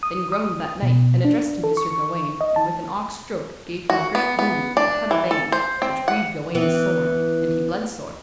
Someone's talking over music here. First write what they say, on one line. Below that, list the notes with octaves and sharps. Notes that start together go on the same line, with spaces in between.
Then groaned that knight, and addressed him to Sir Gawaine, and with an awk stroke gave him a great wound and cut a vein, which grieved Gawaine sore, and he bled sore.
D#6
D#6
B2
D4
A4
C#6
D#5
A5
F#4
B3
B3
D4
E3
A4
C5
C4
F#5
E3 B3